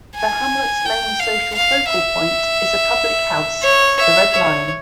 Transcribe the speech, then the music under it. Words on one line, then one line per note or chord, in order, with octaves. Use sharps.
The hamlet's main social focal point is a public house, "The Red Lion".
G#5
G5
F5
F5
E5
C#5
E5
C#5